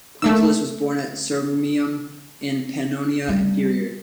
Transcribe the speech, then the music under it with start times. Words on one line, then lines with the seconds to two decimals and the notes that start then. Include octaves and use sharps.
Quintillus was born at Sirmium in Pannonia Inferior.
0.22 A3 A#3 E6
3.28 G3 A3